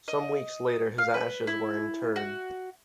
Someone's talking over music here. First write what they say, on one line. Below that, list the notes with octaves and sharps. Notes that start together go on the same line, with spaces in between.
Some weeks later his ashes were interred.
D#5
F5
B4
E4
F#4